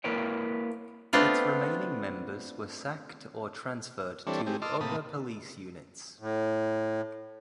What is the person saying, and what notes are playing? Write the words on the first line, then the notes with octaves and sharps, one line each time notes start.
Its remaining members were sacked or transferred to other police units.
A#3 E4 A#4 B4 C#5 G5
A3 B3 C4 D4 F4
E3 G3 C4 D4 A4 C#5
A3 C4 G4 G#4
D#5 A5 C6 D6 E6 F6
A2 C3 A#3 A5 B5 D#6
A2